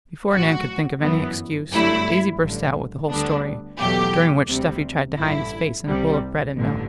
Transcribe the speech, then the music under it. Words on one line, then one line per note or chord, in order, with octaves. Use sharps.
Before Nan could think of any excuse, Daisy burst out with the whole story, during which Stuffy tried to hide his face in a bowl of bread and milk.
A1 A2 F#3 F#4
G1 F#2 E3 B3
G1 G2 F#3 A3 E4
A1 G2 D3
D2 D3 G3 B3 D4
E2 B2 F#3 A3 G4
D2 C3 G3
A1 G2 D3 E4
C2 C3 G3
A1 G2 D3